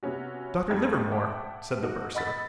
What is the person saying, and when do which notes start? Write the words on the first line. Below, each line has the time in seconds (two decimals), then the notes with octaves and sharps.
"Dr. Livermore?" said the bursar.
0.03 C3 B3 C#4 F#4
0.70 F2 A3 D#4 G5 G#6
1.11 E5 F#5 G5 A5 D6
1.82 D#4 F#4 A4
2.15 D#5 F#5 B5 E6 A6 B6